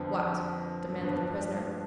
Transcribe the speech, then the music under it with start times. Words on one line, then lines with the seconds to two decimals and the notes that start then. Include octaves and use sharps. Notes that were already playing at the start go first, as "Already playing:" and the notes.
"What?" demanded the prisoner.
Already playing: F2 D3 F3 B3
1.00 G2 F3 B3 D4